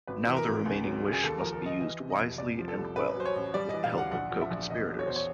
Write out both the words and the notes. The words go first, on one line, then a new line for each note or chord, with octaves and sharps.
Now the remaining wish must be used wisely and well--with the help of co-conspirators.
G#1 B4
E3
A#4
G#1
C#2
F#3
C#2
G#4
D#2 A4
F3 A#4
A#4
D#2 D#5
E3 D#5
C3
D#5
F1
C2 D5
F3
A4
C2
A1 B4
F#3 C5
C#5
A1
G3 D5
E3 D#5
F5
D2
F#5
A#1 F#5
F3
E5
A#1
E2 D#5
F#3
C#5
E2 C5
C#5